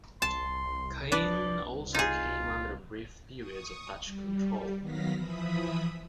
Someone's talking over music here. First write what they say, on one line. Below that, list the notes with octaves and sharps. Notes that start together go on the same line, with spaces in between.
Cayenne also came under brief periods of Dutch control.
C2 A5 C6
D4 B4 D5
D#4 F4 G#4
C#6 D#6
G3
D#3 F#3 B3 F5 A#6 B6
E3 F3 E5 B5 D#6